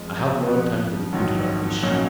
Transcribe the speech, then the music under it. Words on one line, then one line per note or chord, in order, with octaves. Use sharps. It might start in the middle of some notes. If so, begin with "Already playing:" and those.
I have no time to repeat rubbish.
Already playing: F2 F3 G#3
F2 F3 B3
A#1 G#2 D#3 F#3
B1 A#2 F#3 C#4